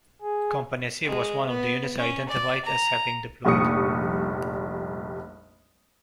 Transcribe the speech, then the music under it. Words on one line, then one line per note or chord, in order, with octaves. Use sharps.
Company C was one of the units identified as having deployed.
G#4
G#3
B3
C#4
D5
A#5
F1 A#1 G3 C#6 D#6 C#7